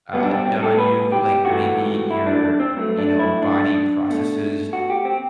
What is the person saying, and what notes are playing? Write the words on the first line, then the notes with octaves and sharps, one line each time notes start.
uh, done on you, like, maybe your you know body processes
C2 B2 G3 B3
D4
C4
C4
A4
B4
G4
C2 C3 E3 A3 F#4
E4
D4
D4
C4
G2 F#3 A3 C4
D4
E4
D4
B2 A3
F#4
G4
C4